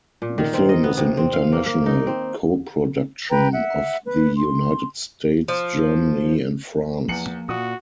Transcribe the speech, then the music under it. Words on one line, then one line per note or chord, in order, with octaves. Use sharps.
The film is an international co-production of the United States, Germany and France.
A#2
D#3
C4
D#5
B3
C3
C4
F5
A#3
A#3
D#4
C4
B4 G5 A#5
E5 F#5
B4
C6
F3
E2 F3 A#3 C#7 F#7
A#2 F#4 D#6